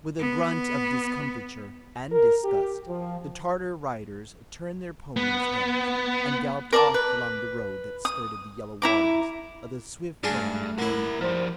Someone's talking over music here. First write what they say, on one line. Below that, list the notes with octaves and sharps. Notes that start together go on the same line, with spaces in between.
With a grunt of discomfiture and disgust, the Tartar riders turned their ponies' heads and galloped off along the road that skirted the yellow waters of the swift-flowing Hwang-ho.
B3
A#4
G4
F3
B3
A#4 D5 A5 D6
B4
D#6
E4 A#5 D6
G2 A3 D4 F4 G#4
A#3 E4 A#4 F#5
F3 G3 C5